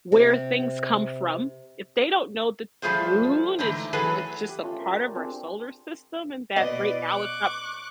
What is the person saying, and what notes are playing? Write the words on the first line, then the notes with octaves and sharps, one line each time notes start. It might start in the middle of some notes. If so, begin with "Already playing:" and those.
where things come from, if they don't know that the moon is it's just a part of our solar system and that right now it's not p
C3
F3 G3 A3 G#4 C5
G#2 D3 E3 A3 D#4
E3 F#3 A3 G#4 A4 B4
G4
A3 C#4 F4
A#4 C5
G4 D5
C4 D4 G#4 G#5
B2 B4 D5 D#5
C#6 D6 F#6